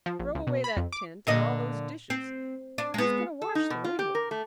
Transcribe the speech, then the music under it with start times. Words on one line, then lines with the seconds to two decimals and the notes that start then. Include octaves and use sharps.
Throw away that tent, and all those dishes,--who's going to wash them, anyway?
0.06 F3
0.19 A#1
0.35 C#2
0.47 B2
0.64 B5
0.77 F2
0.93 D6
1.27 A#2 D3 D#5
2.10 C4
2.78 D4
2.94 G#3 B3
3.42 A4
3.55 D#4
3.70 B2
3.84 F4
3.99 G4
4.15 A#4
4.31 A3